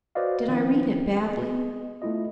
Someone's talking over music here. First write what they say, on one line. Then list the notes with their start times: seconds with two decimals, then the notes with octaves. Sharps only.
Did I read it badly?
0.15 F#4 B4 C5 D5 D#5 F5
0.48 D#3 F3 C4 C#4 E4 B4
1.28 B3 G#4 D#5
2.02 A3 B3 E4 F4 D#5